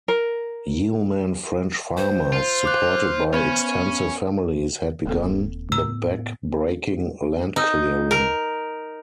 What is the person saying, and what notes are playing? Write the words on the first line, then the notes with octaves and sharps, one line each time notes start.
Yeoman French farmers, supported by extensive families, had begun the back-breaking land clearing.
A#4
C5
F4
D6 F#6
B3 C#4 B5 G#6
D#1 A#3 C4 A4
A2 B3 A#5 E6
D#4
A#4